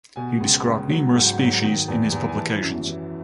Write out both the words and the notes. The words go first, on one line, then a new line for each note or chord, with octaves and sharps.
He described numerous species in his publications.
B2 G#5
C#2
C#2
F#3
G#2
F#3
D#3
E2
E2
G#5
E3 A5
F#2
E3